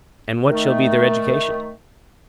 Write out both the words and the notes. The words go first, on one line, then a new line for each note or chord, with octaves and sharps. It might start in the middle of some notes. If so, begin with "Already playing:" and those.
And what shall be their education?
D#3 A3